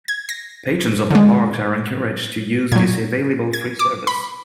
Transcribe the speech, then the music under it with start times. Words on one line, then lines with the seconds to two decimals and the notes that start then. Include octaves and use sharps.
Patrons of the parks are encouraged to use this available, free service.
0.08 G#6
0.29 A#6
1.11 D3 G#3
2.72 A#2 F#3 G#6
3.53 G#6
3.79 D6
4.07 B5